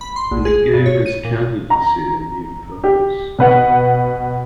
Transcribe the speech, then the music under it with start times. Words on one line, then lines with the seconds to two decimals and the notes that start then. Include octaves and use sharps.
And it gave his candidacy new purpose.
0.01 B5
0.16 C6
0.31 A#1
0.45 G#4
0.74 G2
0.86 C#5
1.06 D#7
1.25 A#2
1.70 A#5
2.84 G4
3.39 B2 B4 F#5